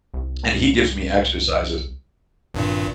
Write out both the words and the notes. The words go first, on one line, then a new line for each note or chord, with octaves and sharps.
And he gives me exercises.
C2
G#1 G2 A#2